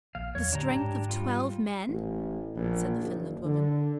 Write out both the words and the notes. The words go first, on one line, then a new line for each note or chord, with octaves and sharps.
"The strength of twelve men!" said the Finland woman.
A#1 F5
E2 F#3 C#5
A2 D3 D4 G4 A#5
G#2
G3 F4
A1
A#1
F#1
D3